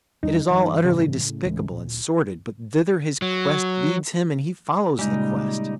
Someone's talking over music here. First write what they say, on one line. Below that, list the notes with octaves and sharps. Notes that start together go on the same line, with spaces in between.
It is all utterly despicable and sordid, but thither his quest leads him and he follows the quest.
E2 G3 D4 D#4
G2 E3
A2 C#3
D2 E3 G#3
D1 A#2
F#3
A#2 C#3 G3 G#3 D#4